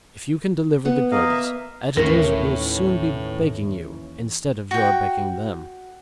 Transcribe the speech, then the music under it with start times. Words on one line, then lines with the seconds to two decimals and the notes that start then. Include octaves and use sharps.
If you can deliver the goods editors will soon be begging you instead of your begging them.
0.85 B3 F#5
1.11 A#3 D#5 F5
1.30 E5
1.97 D#2 A2 E3 C#4 A#4
4.71 F#4 G5